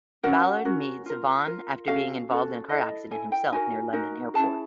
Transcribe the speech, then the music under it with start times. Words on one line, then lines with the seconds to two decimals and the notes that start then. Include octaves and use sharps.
Ballard meets Vaughan after being involved in a car accident himself near London Airport.
0.23 C#4 F#4 A#4 F#5
0.65 C#4 F#4 A#4
1.06 F4 A#4
1.46 F4 A#4
1.87 C#4 F#4 A4 F5
2.29 C#4 F#4 A4
2.69 E4 A4 D#5
3.11 E4 A4 G#5
3.32 G5
3.52 D#4 F#4 A#4 G#5
3.93 D#4 F#4 A#4
4.34 C#4 E4 G#4 A5